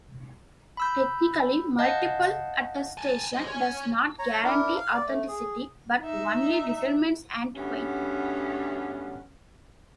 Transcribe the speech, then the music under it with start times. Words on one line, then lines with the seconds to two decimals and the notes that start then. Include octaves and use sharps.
Technically, multiple attestation does not guarantee authenticity, but only determines antiquity.
0.77 B5 E6 G6
1.79 D#5 F5 F#5 A5 G6
2.98 G#5 A5
3.33 C5 D#5
3.48 C#5 G#5
4.19 C#5 A#5
4.44 D4 E4 A#4
4.77 F5
4.94 D5
5.07 A3
5.28 G#4
6.01 D#4 E5
7.55 D2 G2 B3 C#4